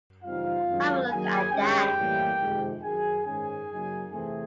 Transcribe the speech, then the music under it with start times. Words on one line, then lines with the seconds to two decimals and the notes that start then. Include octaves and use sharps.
Have a look at that.
0.23 C#3 E3 G3 C4 D#4 F4 F5
0.67 F#2 D#3 G#3 C#4
1.10 F#2 D#3 F#3 A#3 G#4 G#5
1.53 G2 D#3 G#3 C#4 G4 G5
1.97 A2 E3 G3 A#3
2.39 F2 C3 D#3 G#3
2.82 F#2 D#3 F#3 G#4 G#5
3.25 G#2 D#3 G#3 C#4 G#4 G#5
3.69 C#3 F#3 A#3 D#4
4.12 E2 C3 E3 A3 C4 G#4 G#5